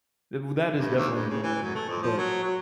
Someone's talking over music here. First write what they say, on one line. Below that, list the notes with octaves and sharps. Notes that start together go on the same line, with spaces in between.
w that is definitely annoying, but
G2
D#2
G2
C#3
E3
F#2
A3
F2
F3
F#3
F#3